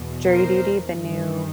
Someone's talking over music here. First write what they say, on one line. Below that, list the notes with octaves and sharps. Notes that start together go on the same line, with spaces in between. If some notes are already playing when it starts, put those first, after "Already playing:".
Jury Duty, the new
Already playing: E2 B2
A#4 C5
G2 D#3